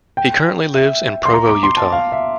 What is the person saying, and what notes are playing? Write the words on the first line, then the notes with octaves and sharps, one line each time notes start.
He currently lives in Provo, Utah.
G5
E5
C6
A#5
D6
C6
A5
F5
E5